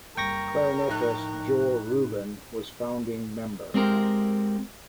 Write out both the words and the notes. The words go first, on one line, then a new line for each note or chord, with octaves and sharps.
Clarinetist Joel Rubin was founding member.
F#1 G3 A#4 G5 C#6 A#6
A2 F3 D#4 F#6
G#3 C4 G4 A#4